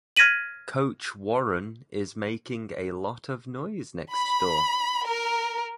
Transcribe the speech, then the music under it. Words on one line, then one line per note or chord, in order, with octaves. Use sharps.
Coach Warren is making a lot of noise next door.
F6 G#6 A#6 B6 D#7 F#7
B5
A#4